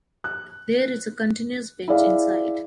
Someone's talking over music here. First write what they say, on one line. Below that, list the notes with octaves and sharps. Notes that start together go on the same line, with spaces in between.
There is a continuous bench inside.
F#6
E4 G#4 D5 F5